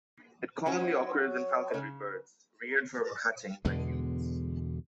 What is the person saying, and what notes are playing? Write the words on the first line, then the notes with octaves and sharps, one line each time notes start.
It commonly occurs in falconry birds reared from hatching by humans.
F#3 C#4 F#4 C5
C#5
C#3
E2 B2 D3 G#3